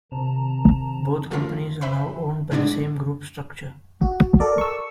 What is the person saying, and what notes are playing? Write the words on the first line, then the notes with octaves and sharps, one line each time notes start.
Both companies are now owned by the same group structure.
C3 D#3 A5 A#5
E3 A3 C#4 F4 A#4 B6
B4 C5 E5 G5 B5
A2 G#3 B3 D4 D5 G#6
F#4
A4 A#4 D5
C#6 E6